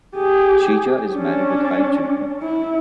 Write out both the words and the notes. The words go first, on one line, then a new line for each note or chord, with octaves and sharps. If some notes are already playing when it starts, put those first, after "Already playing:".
Shija is married with five children.
G4 G#4
C#4 D4
E4